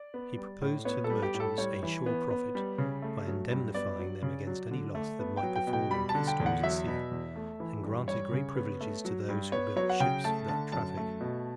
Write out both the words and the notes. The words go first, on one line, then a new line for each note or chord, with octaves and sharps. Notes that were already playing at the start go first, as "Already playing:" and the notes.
He proposed to the merchants a sure profit, by indemnifying them against any loss that might befall them by storms at sea; and granted great privileges to those who built ships for that traffic.
Already playing: D5
B3
G3
A2
B3 C#5
A4
G3
G4
A2
A4
G3 C#5
E3
B3
B3
G3
C#3
A3
F#3
G2
B3 D5
F#3
C#3
F#3
D3
A3
B3
G5
F#3
G5
B2
G5
G3 B5
A5
D3
G5
E2
F#5
F#3 E5
B2
E2
A3
E3
G2
G3 C#5
C#3
B3
A3
F#3
G2
B3 C#5
F#3 C#5
F#5
C#3 G5
A3 A5
D3 A5
F#2 A5
A3
B2